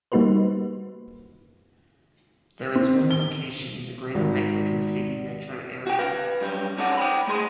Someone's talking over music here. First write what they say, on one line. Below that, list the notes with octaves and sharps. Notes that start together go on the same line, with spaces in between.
There is one location in the Greater Mexico City metro area.
G3 A#3 D#4 F#4 B4 C5
C4
G7
G#1
F#4 G4 G5
B4 F5
F#2 G3
G#2 C#4 A4 D5 F#5
C5 G5 B5
G#3 A3 G#4 C6